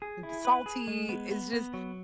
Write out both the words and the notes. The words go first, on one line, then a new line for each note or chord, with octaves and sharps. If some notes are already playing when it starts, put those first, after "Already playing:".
salty." It's just
G#4
E4
B4
G#4
G#3
B3
B3
B3
F#3